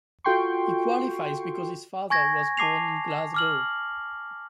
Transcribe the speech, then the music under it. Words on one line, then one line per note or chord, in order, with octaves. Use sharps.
He qualifies because his father was born in Glasgow.
F4 F#4 A4 G5 C6 C#6
G#5 C#6 G#6 A#6
A5 D6 C7 F7
D6 F6 F#7